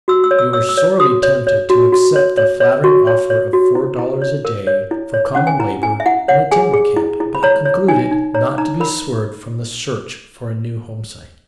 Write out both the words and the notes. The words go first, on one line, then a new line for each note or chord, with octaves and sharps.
We were sorely tempted to accept the flattering offer of four dollars a day for common labor in a timber camp, but concluded not to be swerved from the search for a new homesite.
F#4 E6
E6
C#5
E6
C#5 E6
E6
C#5
F#4 D#6
C#5
C#5
F#4
F#4
C#5
C#5
C#5
F#4 C#6
C#5
C#5
F#4
E4
E4
C#5
A#4
C#5
E4
C#5
C#4 F#5
G#5
E4 A#5
E4 G#5
E5
E4 F#5
C#5 F#5
G#4 G#5
G#4
E4
E4
B5
C#5 A#5
C#5
D#4 G#5
D#4
C#5 A#5
D#4 A#5
A#4 B5